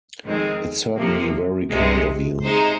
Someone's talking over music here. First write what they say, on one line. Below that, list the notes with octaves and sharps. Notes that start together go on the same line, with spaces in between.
It's certainly very kind of you.
F2 D#3 G#3 C4
C3 F3 A#3
C2 C3 G#3
C3 G#3 D#4 C5